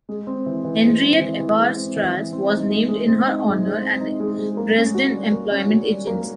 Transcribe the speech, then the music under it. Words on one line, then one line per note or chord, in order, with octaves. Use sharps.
Henriette-Heber-Strasse was named in her honor at the Dresden Employment Agency.
G#3
C4
E3
E3
G#3
C4
E3
E3
G#3
C4
E3
E3
C4
D#4
G#3
G#3
C4
D#4
G#3
G#3
C4
D#4
G#3
G#3
A#3
C#4
F#4
G3
A#3
C#4
F#4
G3
A#3